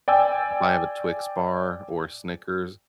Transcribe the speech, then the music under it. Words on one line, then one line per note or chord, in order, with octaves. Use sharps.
if I have a Twix bar or Snickers
D5 G5 G#5 E6